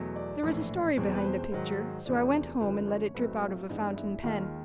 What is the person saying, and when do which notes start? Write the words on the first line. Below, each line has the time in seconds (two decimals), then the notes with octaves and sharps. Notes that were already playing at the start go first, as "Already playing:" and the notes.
There was a story behind the picture, so I went home and let it drip out of a fountain-pen.
Already playing: E2 B2 F#3 A3
0.16 D5
0.43 A#1 A2 E3
0.97 E2 B2 G#3 C4 C#5
1.15 B4
1.24 C5
1.51 G#2 D#3 F#3
2.05 E2 C3 F3 A3 D4
2.60 F#2 D3 F3 B4
2.88 C#5
3.14 B1 A2 F#3 A3 C4 B4
3.35 F#4
3.42 F4
3.69 G2 E3 G#3 B3 D4 D#4
3.96 E4
4.23 D#2 D#3 G#3 F4